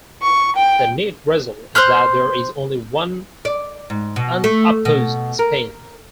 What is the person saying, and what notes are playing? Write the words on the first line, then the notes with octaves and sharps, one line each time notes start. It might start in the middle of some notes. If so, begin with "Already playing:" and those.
The net result is that there is only one unopposed spin.
C#6
G5
C5 C6 F6 F#6
D5
G#2
B2
A3
B2
A#4